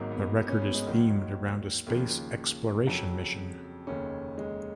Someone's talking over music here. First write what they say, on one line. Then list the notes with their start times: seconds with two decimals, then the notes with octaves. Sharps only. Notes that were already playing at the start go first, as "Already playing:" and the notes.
The record is themed around a space exploration mission.
Already playing: G#1 G#2 F#3 A#3
0.11 B3
0.36 B3
0.49 C#4
0.62 B3
0.75 G#3
0.87 D#2 D#3 F#3
1.87 D#2 C#3 F3
2.87 F2 C#3 F#3
3.87 F1 D#2 C#3 C#4
4.38 G#3